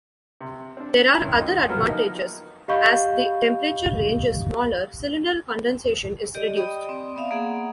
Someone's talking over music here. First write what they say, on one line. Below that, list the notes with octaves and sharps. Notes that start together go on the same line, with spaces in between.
There are other advantages: as the temperature range is smaller, cylinder condensation is reduced.
C3
C4 D4
C2 C#4 G5
G#1 D#5
F#3 B3 F4 G4 A4 A#4
F3 A#3 D#4
G4 D#5 F5 B5 C#6 G6
G4 D5 D#5
D5 D#5 G5 B5 D#6
C4 D5
B3 D5 E5 F5 D#6
A#3 B3 G#4 F#5